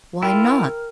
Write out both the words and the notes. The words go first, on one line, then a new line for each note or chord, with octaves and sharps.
"Why not?"
E4 F4 A#4 G5